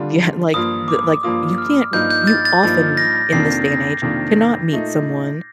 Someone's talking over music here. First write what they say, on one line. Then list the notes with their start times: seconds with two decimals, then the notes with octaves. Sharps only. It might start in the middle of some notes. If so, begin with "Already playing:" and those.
Yeah. Like, the like, you can't you, often in this day and age, cannot meet someone
Already playing: D3 G3 D4 F4
0.54 G2 F3 A#3 F4 D#6
0.88 D6
1.23 G2 F3 A#3 F4 D#6
1.58 F6
1.93 G2 F3 A#3 D#4 G6
2.10 G6
2.27 A6
2.45 A6
2.63 G2 F3 A#3 D#4 A6
2.97 A#6
3.32 F2 C3 D#3 A#3 D4 C7
3.68 A#6
4.02 F2 C3 D#3 A#3 D4
4.71 A#2 A3 D#4